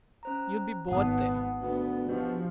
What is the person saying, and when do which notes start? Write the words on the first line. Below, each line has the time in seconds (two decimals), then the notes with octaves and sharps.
You'll be bored there.
0.23 C#4 C5 A#5
0.88 G#1 B3 F#5 A5 D#6
1.61 D2 B3
2.09 B2 F3 D4 G4